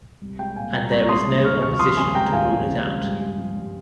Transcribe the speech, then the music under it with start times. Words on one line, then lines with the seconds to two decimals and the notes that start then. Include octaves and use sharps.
And there is no opposition to rule it out.
0.21 C2
0.39 G#3 G5
0.56 A#2 F5 G#5
0.73 C2 G5 A#5
0.91 C2 A#5 C#6
1.09 G#3 C6 D#6
1.27 A#2
1.44 C2 C#6 F6
1.62 D#2 C#6 F6
1.79 F3 C6 D#6
1.97 C#3 G#5 C6
2.15 G#3 G5 A#5
2.32 D#2 F5 G#5
2.51 F3
2.68 C#3
2.85 G#3
3.03 G2
3.20 G#3
3.38 F3
3.56 G2